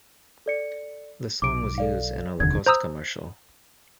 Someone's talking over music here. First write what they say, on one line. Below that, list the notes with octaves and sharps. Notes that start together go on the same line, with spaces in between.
The song was used in a Lacoste commercial.
A4 D5 C#7
B1 D6 D7
A4 D5 F5
F1 D#2 D3 G#6
C5 A#5 D#6 E6